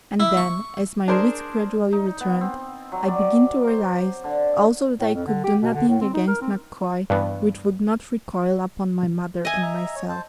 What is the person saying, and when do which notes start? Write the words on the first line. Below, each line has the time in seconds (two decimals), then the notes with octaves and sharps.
And then, as my wits gradually returned, I began to realize also that I could do nothing against MacCoy which would not recoil upon my mother and myself.
0.20 E4
0.37 C#6
1.08 D4 G#4 A#4 C5
1.93 D#4
2.20 B3
2.41 C4
2.92 F#3
3.08 D5
3.68 C5
4.24 D3
5.00 A2
5.15 F2
5.27 D3
5.44 G4
5.62 B2
5.74 D3
5.89 A2
6.01 C4
6.14 D#4
6.27 A#4
6.41 C4
7.10 G2 E3 B3
9.45 D#5 E5 G#5
9.63 E5 A#5
9.96 C#5
10.09 C5 A5